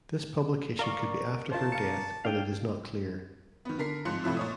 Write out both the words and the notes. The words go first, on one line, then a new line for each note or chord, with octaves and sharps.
This publication could be after her death but it is not clear.
A#4 D5 F5 C#6
F4 C5 A5
F5 C#7
D4 F5 G5
D#3 B3
D3 A#4 B6 C7
G#2 F3 C4 C6 F#6 C#7
A2 C3 F3 E4
A#2 C#5 D#6